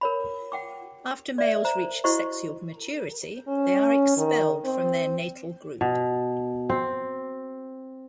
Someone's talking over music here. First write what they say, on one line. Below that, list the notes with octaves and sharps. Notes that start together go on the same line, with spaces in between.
After males reach sexual maturity, they are expelled from their natal group.
A#4 C#5 B5
F#5 G5 D6
D5 E5
C5 A#5
E4 F#4 C5 D#5 C#6
C#4
D#3
C4
B2
C4